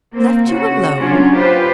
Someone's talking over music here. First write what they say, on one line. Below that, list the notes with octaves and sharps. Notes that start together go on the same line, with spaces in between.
Left you alone?'
A#3 C4
C#3 F#4
F#3 C#4 D4 F4
F4 G4 B4 C5